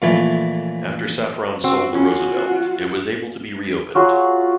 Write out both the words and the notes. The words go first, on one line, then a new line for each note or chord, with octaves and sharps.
After Saffron sold the Roosevelt, it was able to be re-opened.
F2 A#2 E3 A3 E4 F4
C4 F#4
C#4 F4 F#4
F#3 F4 F#4 G#4